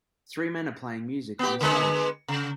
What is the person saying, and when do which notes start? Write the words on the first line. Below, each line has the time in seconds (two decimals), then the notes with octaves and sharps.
Three men are playing music on a stage.
1.39 B3 G4
1.61 D3 G#3 B4
2.28 C#3